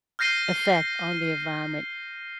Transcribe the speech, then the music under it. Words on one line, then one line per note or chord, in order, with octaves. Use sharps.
effect on the environment,
F6 G6 A#6 C7 D#7 G7